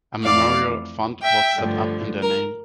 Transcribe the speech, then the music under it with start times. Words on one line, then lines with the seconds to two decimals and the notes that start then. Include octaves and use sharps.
A memorial fund was set up in their name.
0.23 F2 E3 A3 D5 F5
1.22 E5 G5
1.56 G2 D3 F3 A3
2.23 A#4